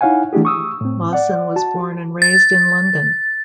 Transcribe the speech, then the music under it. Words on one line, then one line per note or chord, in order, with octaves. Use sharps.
Lawson was born and raised in London.
D#4 E4 C#5 F5 F#5 G#5
E3 A3 D4 E4 G4 G#4
C#6 D#6 E6
A2 C4
D5 F#5
F#4 A5
A6